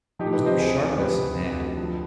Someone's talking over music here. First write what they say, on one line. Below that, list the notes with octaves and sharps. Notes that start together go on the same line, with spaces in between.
There was no sharpness in that.
F3 D#4 G4
G4 B4
C3
C5 D#5
D2 G#4 C5
D2
F3 G4 B4
C3
D2
D2
F3